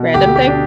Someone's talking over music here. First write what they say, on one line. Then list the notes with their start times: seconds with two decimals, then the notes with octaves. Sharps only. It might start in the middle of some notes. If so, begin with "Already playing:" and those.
random thing?
Already playing: B2
0.14 D2 G4
0.36 G4
0.47 D4